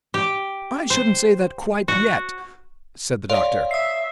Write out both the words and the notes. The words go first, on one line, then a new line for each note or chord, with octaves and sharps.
"I shouldn't say that--quite--yet," said the doctor.
G4
C5
F#4
C#5 D5 F5 C6
E5 D#6 C7